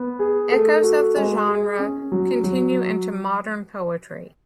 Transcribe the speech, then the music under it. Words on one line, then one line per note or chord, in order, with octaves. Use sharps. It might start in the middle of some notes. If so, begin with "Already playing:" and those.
Echoes of the genre continue into modern poetry.
Already playing: B3
G#4
A3
F#4
G#3
G#4
C#4
F#3
F#3